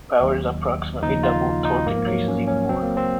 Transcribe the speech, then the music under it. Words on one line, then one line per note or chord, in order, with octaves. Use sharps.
Power is approximately doubled; torque increases even more.
D#2 D#3 F#3
D#2 C#3 F3 D#4
F4
D#4
G#2 F3 A#3
F#3
C#4
C#4
C#2 C#3 F#3 C4
A#3
C4